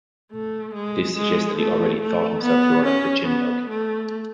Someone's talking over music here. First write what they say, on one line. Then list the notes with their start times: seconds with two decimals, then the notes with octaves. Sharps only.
This suggests that he already thought himself lord of Brycheiniog.
0.32 A3
0.74 G#3
1.17 G#3
1.58 A3
2.01 A3
2.43 B3
2.86 C#4
3.28 B3
3.70 A3